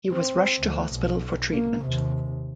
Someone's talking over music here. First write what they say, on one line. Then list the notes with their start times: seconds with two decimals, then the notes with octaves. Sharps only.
He was rushed to hospital for treatment.
0.12 C4
0.60 D2
0.94 B1
1.54 A#3
1.85 D#2 C3